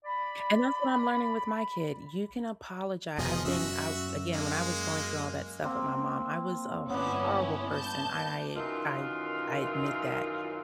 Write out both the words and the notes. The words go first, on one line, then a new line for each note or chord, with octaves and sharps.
And that's what I'm learning with my kid. You can apologi I've been I again, when I was going through all that stuff with my mom, I was a horrible person, I I I I admit that.
D5 B5
F1 B2 F3 G#4 D#5
F#2 C#4 F#4 E5
G#3 A#3
A#3 C4
G1 B3 C#4 D4 E4
A5 G6
F#2 D#3 E3 F4